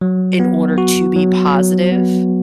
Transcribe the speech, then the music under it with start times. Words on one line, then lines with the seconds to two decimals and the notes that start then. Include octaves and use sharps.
in order to be positive,
0.01 F#3
0.40 B3
0.78 F#4
1.16 F#3
1.54 F#3
1.92 B3